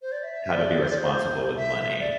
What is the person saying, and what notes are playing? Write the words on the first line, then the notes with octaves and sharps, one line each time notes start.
How to be responsible with money.
C5
D5
E5
D5
C5
D5
C5
C5
E5
D5